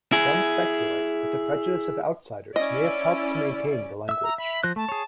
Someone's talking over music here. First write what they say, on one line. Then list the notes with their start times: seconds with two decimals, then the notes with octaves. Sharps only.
Some speculate that the prejudice of outsiders may have helped to maintain the language.
0.12 E4 G#4
2.56 C#4 E4 D5 D#5
4.09 E5 E6
4.23 A#5
4.38 E5 B5
4.63 F3 C5 F#6 A#6
4.76 A3 A5
4.89 G#4 C#5